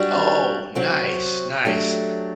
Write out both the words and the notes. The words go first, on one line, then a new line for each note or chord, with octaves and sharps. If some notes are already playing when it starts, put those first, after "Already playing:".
Oh, nice, nice.
Already playing: G3 D4 F#4
C3 F#3 C4 F#4
F#3 A3 D4 G4